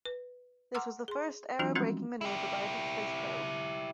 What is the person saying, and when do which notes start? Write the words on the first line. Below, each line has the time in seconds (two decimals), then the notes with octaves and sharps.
This was the first aerobraking maneuver by a deep space probe.
0.05 B4
0.75 F#5 A#5 C6 D6 E6 F6
1.08 G#4 C6
1.59 E3 F#3 C4 D4 F4 F#4
1.75 F3 G3 G#3 C4 C#4 F#4
2.21 E4 G4